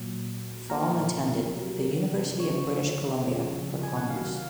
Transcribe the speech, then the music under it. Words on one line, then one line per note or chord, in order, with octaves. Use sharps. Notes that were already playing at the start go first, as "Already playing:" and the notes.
Fong attended the University of British Columbia for commerce.
Already playing: A#2 F#3
A#2 F3 A#4
C3 F#3
C#3 F3 C#5
C#3 F3
G#5
F#5
C3 D#3 F#3 F5